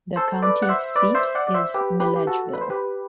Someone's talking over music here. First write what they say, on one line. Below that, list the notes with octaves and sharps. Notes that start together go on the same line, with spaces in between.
The county seat is Milledgeville.
A4 C5
B4 D5
F#5
C5 E5
B4 D5
C5 E5
D5 F#5
D5
C5 E5
G4 B4
G4 B4
G4
F#4 A4
B4
C5
G4 B4